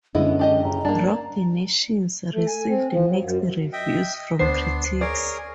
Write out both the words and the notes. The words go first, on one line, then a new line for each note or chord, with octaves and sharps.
"Rock the Nations" received mixed reviews from critics.
F#2 D3 G#3 B3 C#4 E4 D#5
D4 G4 D#5
F#1 A#5
G2 A#3 D4 A5
A3
G#5
C4
F3
F#3
F#2
D#5 E5 G5
D2 B3 D4 C5 C7
G#4 A#4 C#5 D5